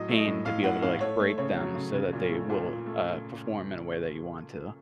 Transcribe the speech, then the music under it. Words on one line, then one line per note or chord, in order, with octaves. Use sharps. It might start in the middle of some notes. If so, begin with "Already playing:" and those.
pain to be able to, like, break them so that they will, uh, perform in a way that you want to.
Already playing: A2 F#3 D#5
A3
D#5
A2
A2 F5
A2 F#5
A2 F5
A3 C#5
A3
C#3 C#5
F#3
C#3
C#3
A#2
A3
A#2
A#2
A3